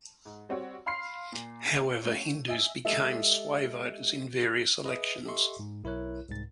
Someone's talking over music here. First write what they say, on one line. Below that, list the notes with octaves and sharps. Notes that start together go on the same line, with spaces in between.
However, Hindus became sway voters in various elections.
G#2
G3 C4 F#4 C#5
F5 B5 C6 F6 C7
A#2
A3 C#4
D#5 E5 G#5
G#3 G4 A4 D#5 E5
G#4 B4 D#5 E5 D#6
G4 A4 D#5 E5 C6 C#6
G#2
B1 E4 A#4 C#5 F#6
C2 G#2 A6